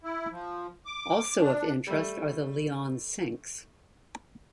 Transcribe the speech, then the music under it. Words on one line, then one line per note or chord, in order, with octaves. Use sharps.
Also of interest are the Leon Sinks.
E4
F3
D6
D4
G3 A3